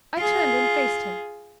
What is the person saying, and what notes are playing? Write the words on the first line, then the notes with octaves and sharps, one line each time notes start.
I turned and faced him.
F4 G#4